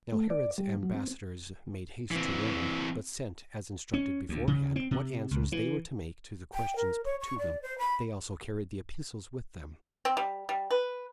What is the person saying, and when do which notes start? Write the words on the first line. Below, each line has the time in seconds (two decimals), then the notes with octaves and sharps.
Now Herod's ambassadors made haste to Rome; but sent, as instructed beforehand, what answers they were to make to the questions put to them. They also carried the epistles with them.
0.12 A3
0.30 D5
0.58 G3
0.83 F#3
0.94 C4
2.11 E3 C4
3.94 C#4
4.29 D2
4.48 C#3
4.76 C4
4.91 C3
5.31 C#2
5.52 E3
6.54 G5
6.76 A#4
7.05 C#5
7.21 C#6
7.39 D5
7.62 C5
7.79 B5
10.05 C4
10.17 G3
10.49 G3
10.71 B4